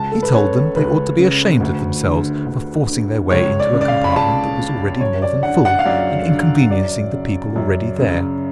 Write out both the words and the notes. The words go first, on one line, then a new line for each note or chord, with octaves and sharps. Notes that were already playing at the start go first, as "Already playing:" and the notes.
He told them they ought to be ashamed of themselves for forcing their way into a compartment that was already more than full, and inconveniencing the people already there.
Already playing: C#2 A5
A4
B4
C#3 C#5
C#2 B4
C#3
D2
D3
D2
D3
C#2 C#5
D5
C#3
D5
F5
B5
C#2 A5
C#3
F#2 C#5
D5
D3 F#5
F#5
F5
F#2 D5
D3
F#2 D5
C#3
F#2
C#3